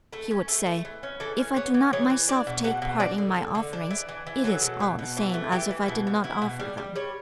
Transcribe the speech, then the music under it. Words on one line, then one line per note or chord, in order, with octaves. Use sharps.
He would say, "If I do not myself take part in my offerings, it is all the same as if I did not offer them."
A3 A4
C#4
A3 A4
A3
E3
C#4
E3 A4
C#4
B3 C#5
E3
E3 C#5
E3
D4 D5
B2
B2 F#5
B2
D4 D5
D3
D3
D3
D4
E3
E3
E3
F#3 A4
B2
B2
B2
E3
A3
E3 G4
E3
B2 E4
B2
B2 E4
B2
G3
G3
G3 C#5